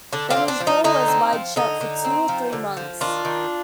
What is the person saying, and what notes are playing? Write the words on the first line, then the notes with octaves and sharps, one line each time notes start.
Then his jaw was wired shut for two or three months.
D3 D4
D4 F4
C4
D4
F3
D#4
D3 D#4
C4
F3
D3 D#4
D3
C4
F3
D3
F3
D#3 D4 F4
D#3